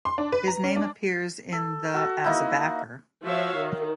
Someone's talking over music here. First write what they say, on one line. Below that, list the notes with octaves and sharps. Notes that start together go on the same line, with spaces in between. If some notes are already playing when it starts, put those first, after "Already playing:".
His name appears in the as a backer.
C6
D4
B4
A#5
C#4
D4
A4
F#4 A4
A#3 D#4 E4 F#4
F3 F#4 C#5 E5 F5
D#3